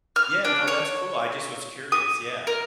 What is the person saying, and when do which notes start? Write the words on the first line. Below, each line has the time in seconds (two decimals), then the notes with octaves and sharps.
yeah, no, that's cool. I just was curious, yeah.
0.16 F6
0.45 D4
0.68 C#5
1.92 D#6
2.47 A#4